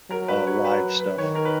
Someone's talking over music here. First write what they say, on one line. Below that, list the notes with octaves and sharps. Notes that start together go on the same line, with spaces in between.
uh, live stuff.
F#3 A#4
B4
C#5
B4
B4
D#3 C#5
A#4
B4